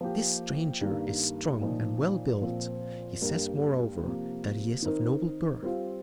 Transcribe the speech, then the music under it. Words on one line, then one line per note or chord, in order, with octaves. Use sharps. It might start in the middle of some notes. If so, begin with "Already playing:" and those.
This stranger is strong and well-built, he says moreover that he is of noble birth.
F3 A#3 G4
G2 D#3 A#3
A#2 F3 D#4
A#2 F3 C4 F4 C5
G2 G3 A#3 G4 A#4
C3 F3 A#3
D#3 C4 D#4 A#4
G3 C4 F4